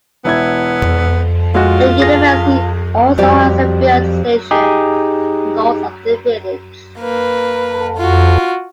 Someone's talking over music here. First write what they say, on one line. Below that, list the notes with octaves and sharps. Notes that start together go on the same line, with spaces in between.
The University also has a field station north of the village.
E1 B3 E4 G#6
G#3 F4 F#4
G#4 A#6
F2 F3 G3 F#4 G4 D5
D#4 G4 G#4
A#3 B4
F4 F#4